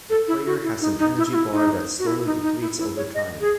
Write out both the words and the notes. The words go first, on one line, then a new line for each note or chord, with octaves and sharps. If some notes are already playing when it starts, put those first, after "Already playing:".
The player has an energy bar that slowly depletes over time.
A4
E4
F#4
E4
D#4
D#4
E4
F#4
E4
D#4
F#4
E4
D#4
D#4
E4
E4
C#5
D#5
G#4